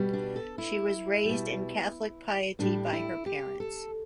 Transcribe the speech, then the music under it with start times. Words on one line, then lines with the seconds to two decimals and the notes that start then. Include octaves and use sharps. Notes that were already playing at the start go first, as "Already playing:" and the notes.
She was raised in Catholic piety by her parents.
Already playing: B2 G3
0.13 D4
0.36 A4
0.58 E4
1.25 B2 G3
2.59 A2 G3 D4
2.86 G4
2.93 E4
3.26 G4
3.60 A4